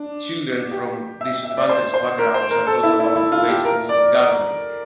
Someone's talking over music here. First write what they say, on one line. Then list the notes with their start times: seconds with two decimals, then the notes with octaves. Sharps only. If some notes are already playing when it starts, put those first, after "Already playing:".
Children from disadvantaged backgrounds are taught about vegetable gardening.
Already playing: D4
0.71 G4
1.21 E5
1.45 E5
1.57 D5
1.69 C5
1.94 C5
2.19 A#4
2.34 C5
2.51 A#4
2.67 A4
2.83 E4
2.99 E4
3.16 E4
3.32 F4
3.49 G4
3.65 A#4
3.89 D5